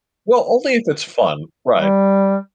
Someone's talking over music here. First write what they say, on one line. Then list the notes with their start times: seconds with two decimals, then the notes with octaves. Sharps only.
Well, only if it's fun. Right.
1.77 G3